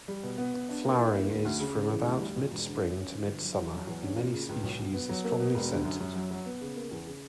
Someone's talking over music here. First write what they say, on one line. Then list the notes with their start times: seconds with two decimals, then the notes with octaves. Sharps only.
Flowering is from about mid-spring to mid-summer, and many species are strongly scented.
0.08 G3
0.23 B2
0.38 B3
0.54 B3
0.69 D4
0.84 A#3
0.99 E4
1.14 A#3
1.30 D2
1.45 D2
1.60 C#3
1.75 C#3
1.90 E3
2.06 D2
2.21 G3
2.36 A#1
2.51 E1
2.66 D3
2.82 C#4
2.97 C#4
3.12 G1
3.27 G1
3.42 F#3
3.58 F#3
3.72 F#3
3.87 E2
4.03 C#4
4.18 A#2
4.33 C#3
4.49 C#2
4.63 B1
4.79 B1
4.94 B3
5.09 F#3
5.24 A#3
5.40 B2
5.55 E1
5.70 D3
5.85 F#2
6.00 F#2
6.15 F#3
6.31 F#3
6.46 B3
6.61 C#3
6.76 A#3
6.91 E2
7.07 C#3